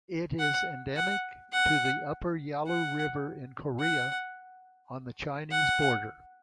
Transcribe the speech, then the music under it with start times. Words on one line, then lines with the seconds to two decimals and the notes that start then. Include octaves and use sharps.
It is endemic to the upper Yalu River in Korea, on the Chinese border.
0.39 F#5
0.96 F#5
1.53 F#5
2.67 F#5
3.80 F#5
5.51 F#5